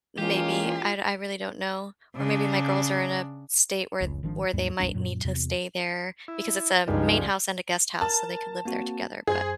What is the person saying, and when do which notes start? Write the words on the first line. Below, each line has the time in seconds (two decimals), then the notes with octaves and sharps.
Maybe, I I really don't know. Or maybe my girls are in a state where where they might need to stay there because it's a main house and a guest house so they could live there together, but
0.18 E3 G#3 A#3 C#4 F4 G4
2.16 C#3 D4
4.00 F1 C#2
4.23 G#1 D#3 F3 D4
4.53 D#2 G#2 G3
4.80 A#1 F2 G3 D4
4.94 F#2 A#2 F#3
5.25 E2 C3
6.28 E4
6.88 C#2 G2 F3 G3 G#3 D#4
8.01 A#4 A5
8.65 A#3 C4 F#4
9.27 F#2 G#4 C5 G#6